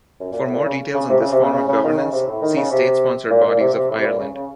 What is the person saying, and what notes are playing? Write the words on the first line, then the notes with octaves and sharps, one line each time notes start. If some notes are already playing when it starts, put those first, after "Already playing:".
For more details on this form of governance, see state-sponsored bodies of Ireland.
F#2
A#2
A2
A#2
C#3
C#3
C3
C#3
C3
C#3
C#3
C#3
D#3
C#3
C3
A2
D#3
C#3
C3
A#2
A#2
C3
C3
A2
C3
A#2
C#3
C#3